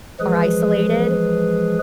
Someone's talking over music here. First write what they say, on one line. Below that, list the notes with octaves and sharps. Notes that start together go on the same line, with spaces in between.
are isolated
E3 F3 G#3 G#4 B4